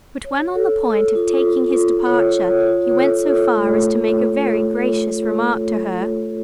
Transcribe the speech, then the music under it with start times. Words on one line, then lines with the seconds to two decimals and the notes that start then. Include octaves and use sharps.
But, when on the point of taking his departure, he went so far as to make a very gracious remark to her.
0.25 C#5
0.55 A4
0.85 A4
1.15 F4
1.45 F4
1.76 F4
2.06 C#5
2.36 C#5
2.67 F4
2.97 A4
3.27 A4
3.57 A3